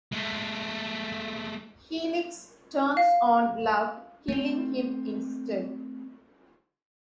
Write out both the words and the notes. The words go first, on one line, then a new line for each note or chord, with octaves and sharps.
Helix turns on Love, killing him instead.
G#3 A3
F5
A3 C4